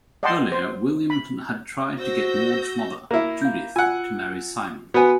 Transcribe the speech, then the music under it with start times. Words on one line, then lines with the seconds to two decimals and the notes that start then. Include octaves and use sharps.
Earlier, William had tried to get Maud's mother, Judith, to marry Simon.
0.23 D5 D#5 F#5 G5 A5 C6
0.52 C5
1.10 B5
1.99 F#4 C5 E6 G6 A#6
3.11 A#3 E4
3.42 F5 G6
3.76 F4 F#5 G#5 E6
4.94 B3 F#4 B4 G#5